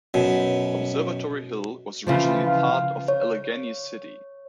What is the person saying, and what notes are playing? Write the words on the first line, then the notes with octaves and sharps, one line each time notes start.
Observatory Hill was originally part of Allegheny City.
F#2 B2
C#3 E3 F3 F4
F5
C#5